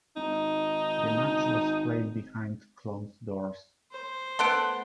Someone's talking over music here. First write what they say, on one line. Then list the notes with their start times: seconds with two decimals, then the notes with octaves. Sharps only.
The match was played behind closed doors.
0.16 G#1 D#4
3.91 C5
4.39 A3 B3 B4 C6 F#6 D7